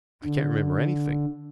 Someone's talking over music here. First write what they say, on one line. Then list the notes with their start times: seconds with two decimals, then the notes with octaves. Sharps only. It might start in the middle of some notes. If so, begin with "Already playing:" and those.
I can't remember anything.
0.25 D3